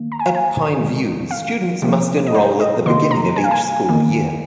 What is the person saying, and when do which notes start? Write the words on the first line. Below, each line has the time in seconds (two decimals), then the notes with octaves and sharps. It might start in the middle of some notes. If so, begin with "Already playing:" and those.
At Pine View, students must enroll at the beginning of each school year.
Already playing: D#3 A#3
0.12 A#5
0.19 G#5
0.26 F5
0.35 G#5
0.79 C3 D#3 G#3
1.31 F5
1.82 C3 F3 A#3
2.26 D#5
2.35 C5
2.60 D#5
2.86 C3 D#3 A#3 C6
3.11 A#5
3.36 G#5
3.44 F5
3.51 G#5
3.89 D#3 A#3